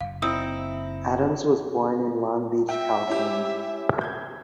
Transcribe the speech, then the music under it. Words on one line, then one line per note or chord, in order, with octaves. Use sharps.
Adams was born in Long Beach, California.
F#1 F#2 F5
C4 D#4 E4 D#6 E6
E5 G5
C#4 E4 G4
G6 G#6